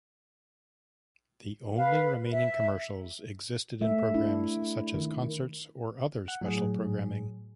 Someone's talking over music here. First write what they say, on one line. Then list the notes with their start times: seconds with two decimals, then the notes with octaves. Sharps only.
The only remaining commercials existed in programs such as concerts or other special programming.
1.77 B4 F5
2.33 E5
3.81 A3 E5
4.14 D4 E4
4.94 D#3
6.28 F#5
6.41 A2 F#3 G#4